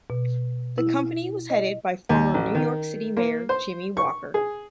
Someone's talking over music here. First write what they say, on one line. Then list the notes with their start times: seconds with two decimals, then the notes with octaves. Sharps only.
The company was headed by former New York City mayor Jimmy Walker.
0.10 B2
0.78 E4
1.50 D#5
2.09 D#2
2.34 A1
2.55 D#3
3.17 A#3
3.49 C5
3.97 C#6
4.34 G#4